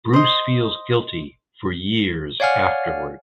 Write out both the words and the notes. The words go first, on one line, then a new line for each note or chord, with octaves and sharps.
Bruce feels guilty for years afterward.
C5 D#5
C#5 D5 F5 F#5 G#5 F6